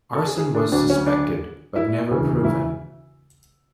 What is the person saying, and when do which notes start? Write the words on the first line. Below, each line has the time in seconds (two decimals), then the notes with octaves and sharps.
Arson was suspected but never proven.
0.15 A4
0.26 G#4
0.38 G#4
0.55 D4
0.72 D2 D3 F#3 D4
0.90 C#4
1.06 D4
1.76 E4
2.10 E1 D2 C#3 E3
2.44 E4